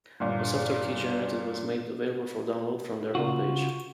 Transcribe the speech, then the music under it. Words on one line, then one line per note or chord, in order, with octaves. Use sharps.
A software key generated was made available for download from their home page.
G1 A#2
C#3 F4 F#4